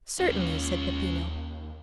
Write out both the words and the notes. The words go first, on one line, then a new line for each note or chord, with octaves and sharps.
"Certainly," said Peppino.
D#2 C#4 F4